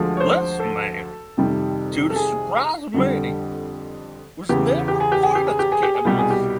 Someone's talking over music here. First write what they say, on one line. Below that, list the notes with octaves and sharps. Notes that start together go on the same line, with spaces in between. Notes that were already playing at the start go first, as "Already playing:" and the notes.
Lissaman, to the surprise of many, was never appointed to cabinet.
Already playing: D2 D3 F3 G#3
C#5
C5
A4
F2 C3 D#3 G3
A4
G#4
F2 D3 G3
E2 C#3 E3 G4
G4
G#4
G4
G#4
G4
G#4
G4
G#4
G4
G#4
C2 B2 G3 G4
G#4
G4